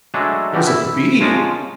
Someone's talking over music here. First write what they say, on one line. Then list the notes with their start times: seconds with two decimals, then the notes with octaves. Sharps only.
It was a bee.
0.14 F#3 G#3 A3 D4 G#4 A4
0.52 E2 B2 E3 G3 A3
0.67 E4
1.20 F3 G#3 C#4 F4 A#4